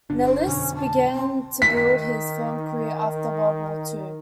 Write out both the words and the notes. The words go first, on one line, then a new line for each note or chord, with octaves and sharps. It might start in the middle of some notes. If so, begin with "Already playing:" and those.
Nalis began to build his film career after World War Two.
G1 D3 D4
C5
F2 B2 D3 C#4
A5
C4
D#3 B6